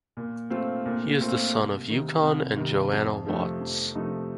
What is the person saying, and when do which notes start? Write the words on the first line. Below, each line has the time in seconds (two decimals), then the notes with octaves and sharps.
He is the son of Yukon and Joanna Watts.
0.17 A#2
0.50 A3 C4 F4
0.86 A#2
1.20 A3 C4 F4
1.54 C2
1.88 C3 D#3
2.22 C2
2.57 C3 D#3
2.92 F2
3.26 C3 F3 A3 D#4
3.61 F2
3.94 C3 F3 A3 D#4